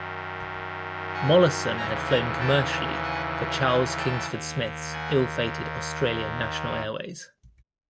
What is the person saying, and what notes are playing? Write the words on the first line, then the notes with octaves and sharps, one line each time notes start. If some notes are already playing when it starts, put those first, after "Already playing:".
Mollison had flown commercially for Charles Kingsford Smith's ill-fated Australian National Airways.
Already playing: F#2 D#3
F#5 G#5
D#2 C#3 E3 G#5 A#5
G#5 A#5
G5 A5
F#5 G#5
F#5 G#5
G5 A5
D#2 D#3
F#5 G#5